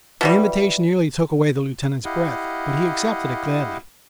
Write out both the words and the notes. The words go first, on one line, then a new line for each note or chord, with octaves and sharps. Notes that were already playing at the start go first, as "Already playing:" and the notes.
The invitation nearly took away the Lieutenant's breath, but he accepted it gladly.
B2 E3 G3
E4 G4 D#5 F5 F#5